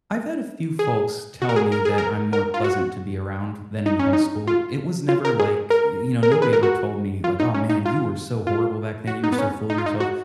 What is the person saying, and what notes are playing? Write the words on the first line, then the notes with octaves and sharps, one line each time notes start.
I've had a few folks tell me that I'm more pleasant to be around, than in high school. It was never like, y you know, nobody ever told me, like, "Oh, man, you were so horrible back then, you were so full of yourself."
G#4
F#4
A#4
G#4
A#4
G#4
A#4
A#4
F4
F#4
D#4
C#4
D#4
F4
F4
A#4
G#4
A#4
A#4
G#4
B4
A#4
F#4
F4
D#4
C#4
D#4
F4
F4
F#4
D#4
B3
C#4
D#4
F4
D#4
F#4